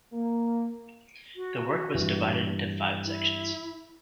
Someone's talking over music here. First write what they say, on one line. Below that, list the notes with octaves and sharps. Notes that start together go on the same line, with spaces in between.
The work was divided into five sections.
A#3
F#4
G2 E3
E4